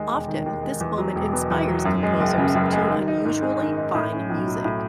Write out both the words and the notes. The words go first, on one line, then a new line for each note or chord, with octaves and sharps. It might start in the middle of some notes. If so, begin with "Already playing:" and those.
Often, this moment inspires composers to unusually fine music.
Already playing: D#2 G#3
E1
D#3
D#2
G#3
E2
F#3
E1
B2
E2
F#3
F#2
G#3
F#1
C#3
F#2
G#3
D#3
D#4
G#2
G#3
D#3
D#4
A2
C#4
B1
F#3
A2